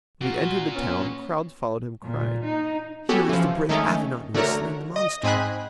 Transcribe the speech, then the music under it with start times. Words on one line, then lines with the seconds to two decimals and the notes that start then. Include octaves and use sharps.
When he entered the town, crowds followed him crying, "Here is the brave Avenant who has slain the monster."
0.21 A#2 F4 F#4
0.75 B3 C#4
2.03 A#2
2.44 D#4
3.09 B3 C#4 F#4 G4 A4
3.29 E3 F3
3.69 D#3 G#3 A3 C#4 D#4
4.34 D3 A3 F#4 A#4 C#5
4.96 D#5
5.23 G#2 C4 D#5 G#5 B5 F#6